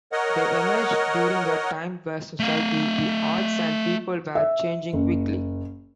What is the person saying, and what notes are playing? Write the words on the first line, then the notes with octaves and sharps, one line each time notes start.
They emerged during a time where society, the arts and people were changing quickly.
A#4 C#5 D#5 F#5
A3 F5
E5
F#1